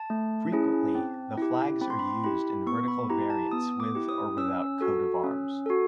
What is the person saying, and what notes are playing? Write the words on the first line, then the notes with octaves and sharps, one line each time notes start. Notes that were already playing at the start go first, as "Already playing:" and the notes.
Frequently, the flags are used in vertical variants with or without coat of arms.
Already playing: A5
A3
C#4 E4 G#4
C4
E4 G4
C4 B5
C6
B5
E4 G4 B5
B3 C#6
B5
E4 G4 A#5
A5
B3 D#6
D6
E4 G4
D#6
C#4 E6
F#4 A4
C#4
F#4 A4